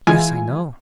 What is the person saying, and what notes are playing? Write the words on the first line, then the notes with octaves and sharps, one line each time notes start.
"Yes, I know."
E3 G#3 E4 F4 G#5